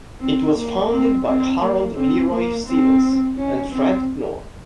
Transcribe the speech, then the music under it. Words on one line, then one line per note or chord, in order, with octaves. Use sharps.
It was founded by Harold Leroy Stevens and Fred Knorr.
C4
A#3
C4
C4
A#3
C4
A#3
C4
C#4
C4